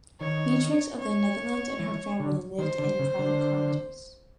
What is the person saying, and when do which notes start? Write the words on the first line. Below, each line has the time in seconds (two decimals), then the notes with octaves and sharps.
Beatrix of the Netherlands and her family lived in private cottages.
0.20 D#3 C#5
0.99 C#5
1.79 E3
2.20 D3
2.58 D#3 C5
2.78 D3
2.99 C#3
3.19 D3